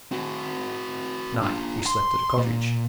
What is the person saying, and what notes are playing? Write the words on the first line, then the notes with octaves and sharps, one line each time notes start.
At night we slept at a cottage.
C4 F#4
D4 F4
C6
A#2